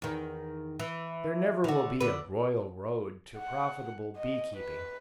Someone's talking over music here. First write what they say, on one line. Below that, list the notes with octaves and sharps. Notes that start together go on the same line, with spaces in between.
There never will be a "royal road" to profitable bee-keeping.
E2 D#3
E3
D3 F#4
D3 B4
F#5
D#5
B4